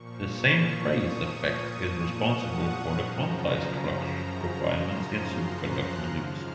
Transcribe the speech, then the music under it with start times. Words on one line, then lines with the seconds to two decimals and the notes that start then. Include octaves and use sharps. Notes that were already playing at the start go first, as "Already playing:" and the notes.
The same phase effect is responsible for the quantized-flux requirement in superconducting loops.
Already playing: A#2 F3 C#6
0.64 D#6
2.19 F#5
2.96 F#2 C#3 F3 A#5
4.50 C6
5.27 F#6
6.03 G#2 F3 F6